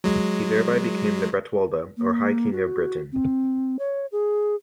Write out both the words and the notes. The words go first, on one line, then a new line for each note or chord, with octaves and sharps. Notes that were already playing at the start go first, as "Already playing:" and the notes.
He thereby became the Bretwalda, or high king of Britain.
F#3 G#3
A#3
F#4
C4
C#5
G#4